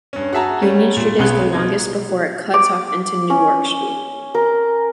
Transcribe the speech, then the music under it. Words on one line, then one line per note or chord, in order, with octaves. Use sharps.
Union Street is the longest before it cuts off into Newark Street.
G2 C#4
F#4 G#4 E5 A5 A#5
G3 A3 C#4
A#2
B1 C3 B3 G#4 F#6 G7
B2 D#4 G#6
D6
C#4
A#4